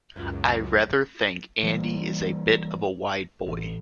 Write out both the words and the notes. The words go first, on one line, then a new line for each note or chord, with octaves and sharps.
I rather think Andy is a bit of a wide boy.
C#2 F#2
E3 G3 A#3
A1